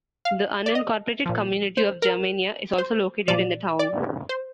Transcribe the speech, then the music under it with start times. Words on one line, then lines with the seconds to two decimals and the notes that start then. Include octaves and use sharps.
The unincorporated community of Germania is also located in the town.
0.25 F5
0.66 D5
0.75 D#5
1.26 A#2 F3
1.77 C5
2.02 A#4
2.78 C5
3.28 A#2 F3 D5
3.79 D5
4.29 C5